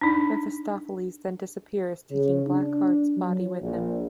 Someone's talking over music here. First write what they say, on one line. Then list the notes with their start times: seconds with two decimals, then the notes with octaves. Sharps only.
Mephistopheles then disappears, taking Blackheart's body with him.
0.01 D4 D#4
2.11 C#3
2.47 D4
3.17 F#3
3.61 A#1